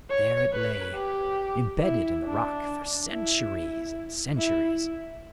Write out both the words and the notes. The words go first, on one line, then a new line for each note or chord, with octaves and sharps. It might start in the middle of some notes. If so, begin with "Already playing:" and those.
There it lay, imbedded in the rock for centuries and centuries.
C#5
B4
G4
E4
D4
E4
E4